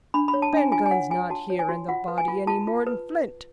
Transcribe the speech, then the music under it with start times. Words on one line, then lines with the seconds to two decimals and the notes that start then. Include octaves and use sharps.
"Ben Gunn's not here in the body any more'n Flint."
0.14 D4 B5
0.28 B5
0.34 C#5
0.42 A5
0.53 D4 G#5
0.72 F4 G#5
0.86 G#5
0.91 C#5 F#5
1.10 F4 G#5
1.30 F#4 A5
1.50 C#5
1.59 G#5
1.69 F#4
1.89 F4 F#5
2.08 B4
2.18 G#5
2.28 F4
2.47 F4 A5
2.67 F4
2.87 B4